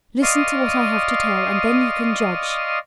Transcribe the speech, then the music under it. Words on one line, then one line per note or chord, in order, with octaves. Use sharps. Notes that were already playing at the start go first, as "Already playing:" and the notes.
Listen to what I have to tell and then you can judge.
D5 D#5 F5 C6 C#6 D#6